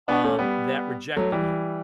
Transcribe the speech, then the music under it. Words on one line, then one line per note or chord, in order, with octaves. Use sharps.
um, that rejected him
B3 D4
A3 C#4
G3 B3
F#3 A3
E3 G3